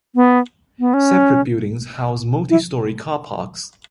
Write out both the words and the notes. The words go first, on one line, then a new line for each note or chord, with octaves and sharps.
Separate buildings house multi-storey car parks.
B3
B3
C#4
E4